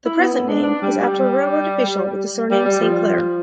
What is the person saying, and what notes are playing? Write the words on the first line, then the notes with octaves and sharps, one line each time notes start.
The present name is after a railroad official with the surname Saint Clair.
E4
B3
B3
D4
D4
G3
G3
G3
G3
F3